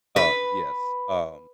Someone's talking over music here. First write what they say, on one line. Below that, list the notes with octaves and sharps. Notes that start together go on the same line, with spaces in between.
Uh, yes, um,
B4